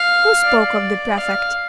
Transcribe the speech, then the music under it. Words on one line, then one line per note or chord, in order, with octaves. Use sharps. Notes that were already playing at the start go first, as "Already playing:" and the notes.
'Who spoke of the prefect?
Already playing: F5
D5
F5